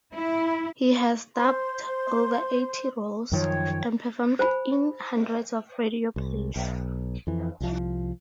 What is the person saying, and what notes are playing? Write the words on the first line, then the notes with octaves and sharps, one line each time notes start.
He has dubbed over eighty roles and performed in hundreds of radio plays.
E4
C5 C6
F#2 D#3 F3 C#5 G5
C5 G#5 B5
C2
B1
F2 E3
C2 F3